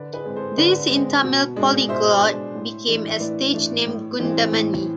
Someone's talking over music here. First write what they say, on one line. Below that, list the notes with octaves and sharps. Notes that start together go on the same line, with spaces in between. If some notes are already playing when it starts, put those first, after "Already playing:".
This in Tamil polyglot became as stage name "Goundamani".
Already playing: D3 B4 D5
G#4 B4
G#3 C4
A4 C5
D3 B4 D5
G#3 C4
B2
G#3 D4
B2 C5 E5
G#3 D4
A2
E3 A3 D4
E5
A2 B4 D5
E3 A3 D4
A2
E3 G#3 C4
A2